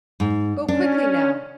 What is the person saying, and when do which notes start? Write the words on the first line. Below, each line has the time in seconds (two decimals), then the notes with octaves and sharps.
Go quickly now!
0.20 G#2
0.68 C#4 D4